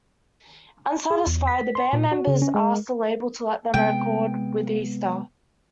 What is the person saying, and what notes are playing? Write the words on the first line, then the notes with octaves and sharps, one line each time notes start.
Unsatisfied, the band members asked the label to let them record with Easter.
G#4
E2
B6
C6
A#2
F#4
C#3
C#4
G#3
C3 G#3 B3 G5